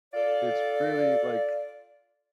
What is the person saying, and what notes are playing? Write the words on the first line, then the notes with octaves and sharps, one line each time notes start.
it's really like
F4 A4 D5